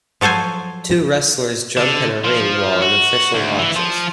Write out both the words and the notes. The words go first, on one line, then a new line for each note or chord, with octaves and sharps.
Two wrestlers jump in a ring while an official watches.
F3 F#3 A4 C5 G#5
D3
F3
F#4
D2
E3
F3